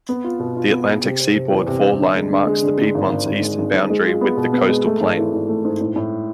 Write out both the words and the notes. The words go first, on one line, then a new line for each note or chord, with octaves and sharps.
The Atlantic Seaboard fall line marks the Piedmont's eastern boundary with the Coastal Plain.
B3
F4
B2
F4
B3
G#4
C3
C4
C3
E2
C3
C4
D3
G#3
D3
G#3
D3
D3
G#1
G#1
G#1
G#3
G#1
G#2
G#3
F4
B3
B2
B3
G#3
A3
G#1
E3
G#1
A3
G#2
A2
A2